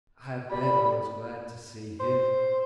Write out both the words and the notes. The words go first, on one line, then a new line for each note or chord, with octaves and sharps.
I bet I was glad to see him.
G3 B5
C5